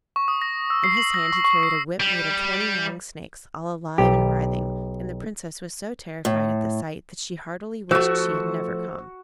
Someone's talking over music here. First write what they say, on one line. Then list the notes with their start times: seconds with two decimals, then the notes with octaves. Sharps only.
In his hand he carried a whip made of twenty long snakes, all alive and writhing, and the Princess was so terrified at the sight that she heartily wished she had never come.
0.16 C#6
0.28 D#6
0.42 A#6
0.70 E6
0.84 C7
0.97 F#7
1.14 A#6
1.32 C#6
1.45 C#6
1.63 C7
2.00 G3
3.98 B1 G4
6.25 A2
7.91 F3 A3 F#4 C5 C#6 E6